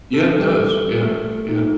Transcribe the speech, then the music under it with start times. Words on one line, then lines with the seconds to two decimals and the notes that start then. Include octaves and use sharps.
Yeah, it does, yeah, yeah,
0.13 A4
0.39 G3
1.02 A3
1.32 C#7
1.48 D#4